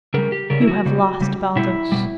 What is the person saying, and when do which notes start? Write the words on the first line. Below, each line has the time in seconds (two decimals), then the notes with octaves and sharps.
You have lost Baldos.
0.14 C#3 G3 A#4
0.32 G4
0.50 C#3 G3 A#4
0.61 E4
0.67 F#4
0.86 C#3 G3
1.21 C#3 G3
1.56 B2 G3 E4
1.92 B2 G3